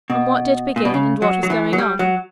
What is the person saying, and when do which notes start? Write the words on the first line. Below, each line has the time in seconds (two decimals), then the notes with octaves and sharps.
And what did begin, and what was going on?
0.10 B2
0.76 A#2
0.85 B2
0.94 C#3
1.22 F#3
1.43 F#3
1.50 E3
1.73 F#3
1.78 G3
1.99 F#3